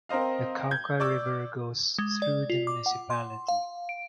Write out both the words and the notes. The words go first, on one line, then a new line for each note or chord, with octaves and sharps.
The Cauca River goes through the municipality.
C4 A#4 C5 D#5 F5
G6 G#6
D5 C#6 D6 E6
G#3
D5
F4
D6
F#5
C6
F5
D7